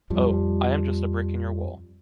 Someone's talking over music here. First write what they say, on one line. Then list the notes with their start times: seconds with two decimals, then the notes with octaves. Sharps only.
Oh, I am just a brick in your wall.
0.10 F2 F3 G3